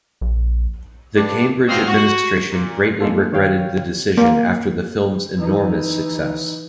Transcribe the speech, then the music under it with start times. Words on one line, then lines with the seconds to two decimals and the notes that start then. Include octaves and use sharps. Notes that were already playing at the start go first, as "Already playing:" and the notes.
The Cambridge administration greatly regretted the decision after the film's enormous success.
0.21 A#1
1.16 G2 D4
1.67 E2 D3 C4 F#4 D#5 F5
1.87 F#4
2.52 A#2
3.01 G#3 A#3 F4 A4
3.32 D#3 C#5 F5 G5 F6
4.18 A#3
5.37 E3 D#4